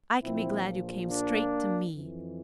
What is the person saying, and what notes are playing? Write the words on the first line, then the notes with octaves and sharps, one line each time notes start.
I can be glad you came straight to me.
A#1 A#2 F3 C4 E4
A#3 D4
F2 E3